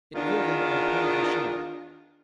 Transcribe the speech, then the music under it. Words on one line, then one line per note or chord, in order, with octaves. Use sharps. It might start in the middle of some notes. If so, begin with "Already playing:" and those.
It yielded on a point of machinery.
E2 D#3 D4 F4